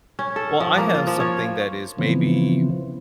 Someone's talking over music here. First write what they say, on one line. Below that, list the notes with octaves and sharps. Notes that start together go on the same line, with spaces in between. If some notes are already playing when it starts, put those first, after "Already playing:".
Well, I have something that is maybe,
C#4
A4
F3
A#3
F4
F3
C#5
C#3 E3 F3 B3 C4